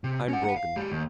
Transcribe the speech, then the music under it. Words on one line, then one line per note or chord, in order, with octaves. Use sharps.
I'm broken.
C3
C#4 F#5
B4 F#5
F5
G#3 G4
D#2